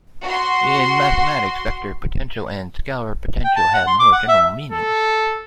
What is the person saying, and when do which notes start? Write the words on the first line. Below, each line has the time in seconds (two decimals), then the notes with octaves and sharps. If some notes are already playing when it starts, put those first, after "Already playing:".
In mathematics, vector potential and scalar potential have more general meanings.
0.23 F#4 C6
3.44 G5
3.56 A5
3.73 F#5
3.87 C6
4.00 D6
4.12 F#5
4.28 E5
4.72 A4